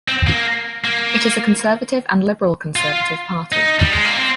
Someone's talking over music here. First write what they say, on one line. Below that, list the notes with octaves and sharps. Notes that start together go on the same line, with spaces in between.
It is a conservative and liberal conservative party.
C4
A#3
A#3
F4
D#4
G3
G#3
A#3
C4